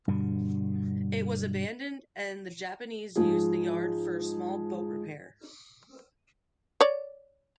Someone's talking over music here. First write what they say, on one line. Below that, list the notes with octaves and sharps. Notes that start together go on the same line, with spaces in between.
It was abandoned and the Japanese used the yard for small boat repair.
G2 B2 D3
G#2 F3 G#4
C#5 D5